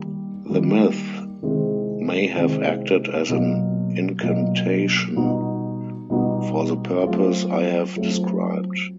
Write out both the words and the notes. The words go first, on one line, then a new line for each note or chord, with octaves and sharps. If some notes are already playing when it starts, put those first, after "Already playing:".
The myth may have acted as an incantation for the purpose I have described.
Already playing: D#3 G3 A#3
D#3 G3 A#3
C3 D#3 G#3 C4 E4
C3 D#3 G#3 C4 E4
B2 F#3 A#3
B2 F#3 A#3
B2 G3 B3 D#4 F#4
B2 G3 B3 D#4 F#4
F#3 A3 C4 F4
F#3 A3 C4 F4